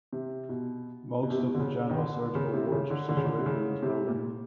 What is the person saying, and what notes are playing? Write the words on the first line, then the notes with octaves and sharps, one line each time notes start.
Most of the general surgical wards are situated in this building.
C3
B2
B2
C3
B2
D3
C#3
D#3
D3
C#3
C3
C3
C#3
D3
D3
C#3
D3
C3
C#3
C3
A#2